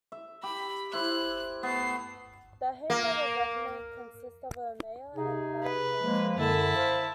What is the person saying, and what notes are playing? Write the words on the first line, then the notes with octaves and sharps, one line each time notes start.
The Hanover government consists of a mayor and five council members.
E5
G4 B5
E4 C5 F#6
A3 B3 C7
A#3
C3 D#4 G#4
B4
F3 G#3 A#3
F#2 D3 E4 A5
C5 F5